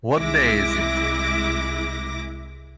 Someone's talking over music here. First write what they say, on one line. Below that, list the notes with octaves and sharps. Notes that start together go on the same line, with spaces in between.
What day is it?
C2 G#3 E4 D6 A#6